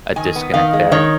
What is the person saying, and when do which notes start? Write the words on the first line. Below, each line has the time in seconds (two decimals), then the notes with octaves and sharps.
a disconnect there.
0.16 D#3 G#5
0.36 B3
0.54 D#3 F5
0.73 G#3
0.92 D#3 C#5